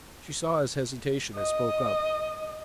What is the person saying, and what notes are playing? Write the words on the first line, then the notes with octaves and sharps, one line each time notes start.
She saw his hesitation and spoke up.
D#5